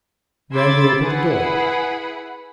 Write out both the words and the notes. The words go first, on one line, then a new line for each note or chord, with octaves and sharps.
Then he opened the door.
B5 C6 D6 E6 G#6 A6
E4 G#4 B4 F#5 B5